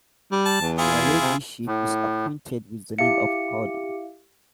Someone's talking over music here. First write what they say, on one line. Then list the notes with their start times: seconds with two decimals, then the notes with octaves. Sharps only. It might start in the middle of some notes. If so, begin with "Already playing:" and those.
Your ladyship is acquainted with the name of Hawdon?
0.32 G3
0.46 A5
0.61 E2
0.78 E4 F4 G#4
1.21 C3
1.67 A2
2.98 E4 G4 E5 F5 C#7